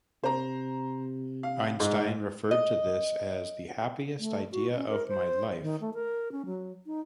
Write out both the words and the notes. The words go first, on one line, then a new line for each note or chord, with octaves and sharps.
Einstein referred to this as "the happiest idea of my life".
C3 C5 A#5
F5
G#2
D#5
A3
F#4
C#4
A#4
C5
D#3
A3
A#4
C#4
F#3
D#4